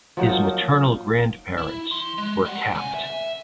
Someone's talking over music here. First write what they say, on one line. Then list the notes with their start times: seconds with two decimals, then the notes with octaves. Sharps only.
His maternal grandparents were Capt.
0.17 F3 F#3 A#3 D#4
1.58 E4
1.91 F3 C6
2.18 G#3
2.45 G3 F#5
2.75 C#3 G#5
2.94 E5